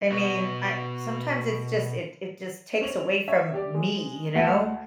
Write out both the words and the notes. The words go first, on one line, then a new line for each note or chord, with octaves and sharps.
I mean, I sometimes it's just it it just takes away from me, you know?
B2 B3 F#4
C4 C#5 F7 F#7
C#5 E5
G4 D5
G#3
D2 F#5 A5 C#7